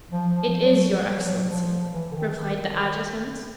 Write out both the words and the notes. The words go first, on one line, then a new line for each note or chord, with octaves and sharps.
"It is, your excellency," replied the adjutant.
F3
F3
F#3
G3
F3
F#3
F3
E3
D3
D#3
D#3